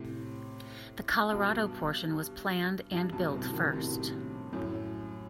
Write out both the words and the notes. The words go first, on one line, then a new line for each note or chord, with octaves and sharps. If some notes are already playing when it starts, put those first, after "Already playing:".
The Colorado portion was planned and built first.
Already playing: A2 C3
G2 B2
G2
G2 B2
A2 C3
B2 D#3
A2 C3
F#2 A2